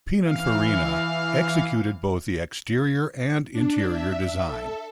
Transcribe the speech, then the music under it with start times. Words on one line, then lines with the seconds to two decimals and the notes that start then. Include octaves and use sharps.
Pininfarina executed both the exterior and interior design.
0.24 E3 F5
3.53 D4
3.90 E5
4.45 A4